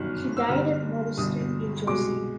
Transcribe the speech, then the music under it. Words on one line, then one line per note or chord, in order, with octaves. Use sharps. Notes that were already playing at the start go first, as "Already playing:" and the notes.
He died at Morristown, New Jersey.
Already playing: G1 F#2 D#3 F6 F#6
E6
G1 G2 D3 G3 F6
G1 G2 D3 G3 D#6
C2 B2 G#3 D6